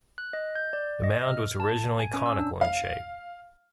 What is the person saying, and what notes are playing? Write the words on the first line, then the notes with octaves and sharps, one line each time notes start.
The mound was originally conical in shape.
F#6
D#5
G6
D5
D#5
F6
A5
G#5
C#4
E6
D4
F5